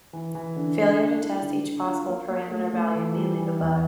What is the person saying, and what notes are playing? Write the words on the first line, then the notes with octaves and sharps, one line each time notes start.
Failure to test each possible parameter value may leave a bug.
E3
E3
D3
D3
D4
E4
D3
D3
F4
A#3
A#3
A3
A3
E3
G3
E3
E2